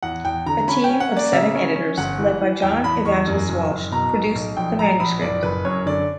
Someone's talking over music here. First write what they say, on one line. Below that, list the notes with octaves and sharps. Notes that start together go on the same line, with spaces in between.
A team of seven editors led by John Evangelist Walsh produced the manuscript.
E2 F#5
E2 G5
D3 A#5
C#4 B5
G5
C#4
F#5
A#3
D5
C#3 E5
C#4
C#4
G1 F#5
E3
E3
E2 G5
E2 B5
E2 C#6
F#2
F#1
F#1
B2 A#5
B1
B1
A#1 G5
A#1 A#5
A#1 B5
F#1 D5
F#1 B4
F#2 C#5
D3 D5